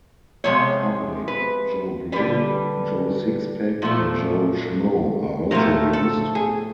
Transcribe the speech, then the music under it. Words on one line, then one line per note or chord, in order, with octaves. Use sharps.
Public, Joe Blow, Joe Sixpack and Joe Schmoe are also used.
C3 F3 G#3 C#5
B4
D3 G3 B4
A#2 F3 A3
A2 F3 A3 A#4
A4
G#4